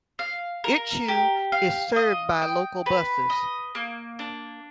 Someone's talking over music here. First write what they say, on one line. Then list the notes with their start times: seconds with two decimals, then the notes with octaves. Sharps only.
Ichiu is served by local buses.
0.19 F5
0.64 A#4
1.08 G4
1.52 F5
1.96 D#5
2.42 G5
2.86 B4
3.30 D#5
3.75 A#3
4.19 D4